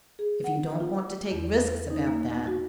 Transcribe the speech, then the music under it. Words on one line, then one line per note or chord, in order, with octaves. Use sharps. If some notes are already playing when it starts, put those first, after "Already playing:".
If you don't want to take risks about that--...
G#4
F#5
F4
E2
D#4
A#3
F#4